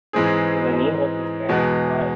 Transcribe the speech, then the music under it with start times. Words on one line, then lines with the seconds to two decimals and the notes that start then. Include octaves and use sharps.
Delaney has been married twice.
0.13 G#2 E3 G#3 C4 G#4
1.49 E2 B2 G#3 B3